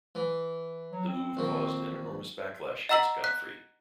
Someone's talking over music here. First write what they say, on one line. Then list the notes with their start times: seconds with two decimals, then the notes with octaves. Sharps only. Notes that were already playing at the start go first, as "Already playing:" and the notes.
The move caused an enormous backlash against Godfrey.
0.15 E3
0.92 F#3
1.08 C4
1.37 A#1 D#3
2.89 D#5 F#5 A#5 E6 B6 F#7
3.24 F#6 B6